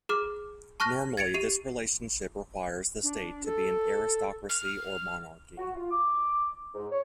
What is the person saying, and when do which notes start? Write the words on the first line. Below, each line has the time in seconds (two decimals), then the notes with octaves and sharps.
Normally, this relationship requires the state to be an aristocracy or monarchy.
0.09 G#4 D6 F6
0.80 A5 C#6 F6 F#6 A#6
1.17 G#6 A6 C#7 D7 F7
1.34 G4 C7 D#7 F7
3.03 D4
3.46 A4
4.49 F6
5.57 F#4
5.75 F4
5.90 D6
6.75 G#2
6.91 C#5